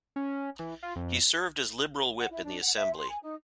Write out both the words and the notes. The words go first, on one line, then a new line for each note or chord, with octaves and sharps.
He served as Liberal whip in the assembly.
C#4
E3
F4
F2
F#5
E4
D4
F#5
E5
C6
G#5
D#4